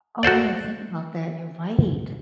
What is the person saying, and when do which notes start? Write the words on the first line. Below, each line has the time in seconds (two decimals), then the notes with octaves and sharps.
Oh, I didn't think about that. You're right.
0.23 F#4 A4 C5 D5